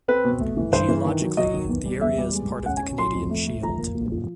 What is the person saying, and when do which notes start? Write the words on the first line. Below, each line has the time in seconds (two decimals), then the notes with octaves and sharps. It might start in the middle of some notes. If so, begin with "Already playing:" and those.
Geologically, the area is part of the Canadian shield.
0.08 C4 B4
0.24 B2
0.40 A3
0.57 E3
0.73 G2 C5
0.89 E3
1.05 D#3
1.21 F#3
1.37 F#3 D#5
1.54 D#3
1.69 E2
1.85 G3
2.01 E2 E5
2.18 G3
2.34 G#3
2.50 G#3
2.66 C#4 F#5
2.77 G#5
2.82 C#4
2.98 F#3 C6
3.14 F2
3.30 A3
3.47 A3
3.63 F3 A#5
3.79 A#3
3.95 A#2
4.12 F3